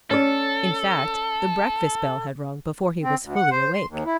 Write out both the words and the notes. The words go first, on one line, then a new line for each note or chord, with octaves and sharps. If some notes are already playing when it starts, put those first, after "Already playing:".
In fact, the breakfast bell had rung before he was fully awake.
C#4 A4 D5
C4
D2
F#5
C5
C6
D#2
E4